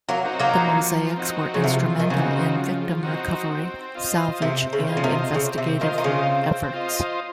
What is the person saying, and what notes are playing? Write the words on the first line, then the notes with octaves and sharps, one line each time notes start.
The mosaics were instrumental in victim recovery, salvage and investigative efforts.
F#3 A#3
C4 D#4 F#4
F#3 A#3
F3
C4 D#4 F#4
C#3
C3 F3
D#3
C#3 C4 D#4 F#4
F3
C4 D#4 F#4
C4
F4 C5 D#5
C3 C4
C#3
F4 C5 D#5
C#3
C3
C#3 C4
C3
D#3 F4 C5 D#5
D#3
C#3
C4
F4 C5 D#5